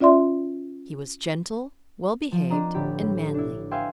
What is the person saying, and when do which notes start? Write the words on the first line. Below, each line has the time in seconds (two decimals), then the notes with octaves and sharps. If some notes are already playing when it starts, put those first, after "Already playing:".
He was gentle, well-behaved, and manly.
0.01 C#4 F4 D5 E5 C6
2.32 F3
2.50 C4 D4 D#5 A#5
2.74 A1 D3 G4 B5
3.02 A2
3.34 D4 E4
3.71 B4 E5 F5 G5 G#5 C6